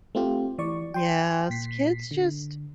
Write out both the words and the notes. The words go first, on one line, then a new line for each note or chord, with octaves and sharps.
Yes, kids just
A3 C4 F4 G4
E3 D5 C#6
G5 C6
A#2 B6 C7
D3